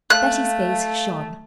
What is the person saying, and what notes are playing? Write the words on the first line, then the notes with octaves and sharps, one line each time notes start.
Betty's face shone.
A3 F5 F#6